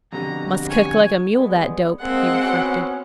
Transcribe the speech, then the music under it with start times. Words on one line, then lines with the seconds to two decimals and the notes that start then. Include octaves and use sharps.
"Must kick like a mule, that dope!" he reflected.
0.13 F2 B2 D3 G4 A#5
0.69 C#5 G#5
1.33 G3 G#3 B3
2.00 G#3 A#3 C4 F#5
2.43 B3 C#4 F#4